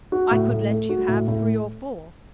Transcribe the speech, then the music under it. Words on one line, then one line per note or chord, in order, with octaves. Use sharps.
I could let you have three or four.
F#4
A2
A2
A3
F#4
A2
A2